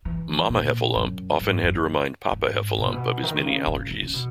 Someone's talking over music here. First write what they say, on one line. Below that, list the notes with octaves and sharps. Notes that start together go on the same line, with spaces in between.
Mama Heffalump often had to remind Papa Heffalump of his many allergies.
E3
A#2
F#2
G#2
F#2
F#2
G#2
B2
A#2
B2
D#3
C#3
C#3
C#3
C#3
B2